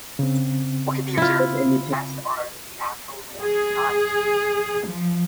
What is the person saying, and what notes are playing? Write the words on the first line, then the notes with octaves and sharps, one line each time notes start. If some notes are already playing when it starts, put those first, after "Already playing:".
What can be observed in the test are the actual reaction times.
C#3 C4
E4 F4
G#4
F3